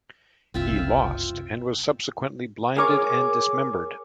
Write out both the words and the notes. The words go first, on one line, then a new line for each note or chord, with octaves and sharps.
He lost and was subsequently blinded and dismembered.
F#1 C2 C4 F4 E5
G#4 A#4 C#5 G#5 D6